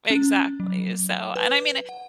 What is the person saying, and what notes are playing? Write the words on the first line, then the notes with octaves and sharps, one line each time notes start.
exactly, so and, I mean,
C#4
F#3
B4
F#5